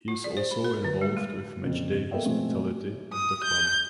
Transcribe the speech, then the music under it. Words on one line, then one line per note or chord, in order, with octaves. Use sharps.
He is also involved with matchday hospitality at the club.
F4
D5
C5
B5
A#4
D3
G3
G#3
F2 A#2 C#3
A#3 B3 A4 D#5 E5 G5
B2 F3 G#3 A3 C4
D#6
G6